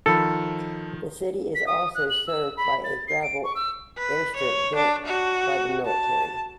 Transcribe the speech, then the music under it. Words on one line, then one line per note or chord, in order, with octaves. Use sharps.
The city is also served by a gravel airstrip built by the military.
D#3 F3 A4 B5
B6
D#6
F#6
F#7
E6
B5
A6
C7
D7
C#6
E6
B4
C#5
D4
F#4
A5